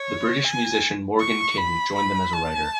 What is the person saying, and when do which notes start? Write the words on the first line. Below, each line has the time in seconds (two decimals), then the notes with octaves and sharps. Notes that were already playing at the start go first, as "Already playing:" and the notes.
The British musician Morgan King joined them as a writer.
Already playing: C#5
0.44 G#5
1.20 C#6
1.58 B5
1.96 B5
2.33 A5